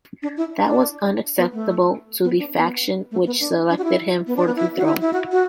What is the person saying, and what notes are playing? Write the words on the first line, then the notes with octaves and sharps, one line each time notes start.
That was unacceptable to the faction which selected him for the throne.
D4
E4
D4
B3
A3
B3
D4
B3
A3
B3
D4
D4
F#4
E4
B3
D4
B3
E4
F#4
E4
E4
F#4
F#4